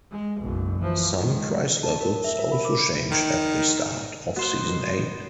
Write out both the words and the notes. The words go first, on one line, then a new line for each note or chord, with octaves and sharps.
Some prize levels also changed at the start of season eight.
G#3
F#1 B1
E3 F3
D#3 G#3
A5
A#4
E5
A#4
B5
D6
D#3
F#3 A#3 B3 F#4 C5
G#2 B2 A#4